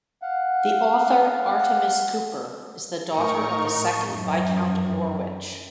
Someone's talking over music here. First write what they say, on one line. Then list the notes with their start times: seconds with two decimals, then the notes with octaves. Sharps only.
The author Artemis Cooper is the daughter of the second Viscount Norwich.
0.22 F5 F#5
3.14 A2 D#4 A#4 C#6
4.09 F#2 E3